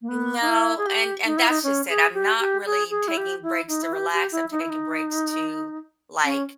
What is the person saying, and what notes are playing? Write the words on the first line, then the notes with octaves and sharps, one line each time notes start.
No, and and that's just it. I'm not really taking breaks to relax, I'm taking breaks to, like
A#3
B3
D#4
E4
G#4
G4
D#4
E4
D#4
C#4
G#4
G4
G4
G#4
G#4
E4
G4
E4
D#4
E4
G4
G4
E4
D#4
E4
D#4
C#4